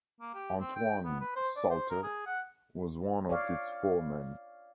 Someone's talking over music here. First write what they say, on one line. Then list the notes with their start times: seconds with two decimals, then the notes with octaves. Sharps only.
Antoine Sauter was one of its foremen.
0.21 A#3
0.35 G4
0.60 C4
0.76 G5
1.04 B3
1.20 B4
1.36 C5
1.56 D5
1.70 C5
1.90 A#4
2.03 G#4
2.26 F#5
3.29 C#5 D5 F5